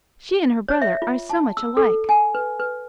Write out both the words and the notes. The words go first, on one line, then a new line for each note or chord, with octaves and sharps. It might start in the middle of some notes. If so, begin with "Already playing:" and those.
She and her brother are so much alike!
C#5
E5
F4
A5
E6
A4
G#5
B4
B4